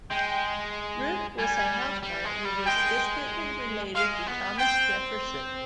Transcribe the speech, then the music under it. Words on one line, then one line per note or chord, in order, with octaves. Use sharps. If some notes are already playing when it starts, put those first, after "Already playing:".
Ruth was a housewife who was distantly related to Thomas Jefferson.
G#3 G5
G3 G#5
G3
G#3
G3
G#3 G5
G#3 F5
B3
C4 G5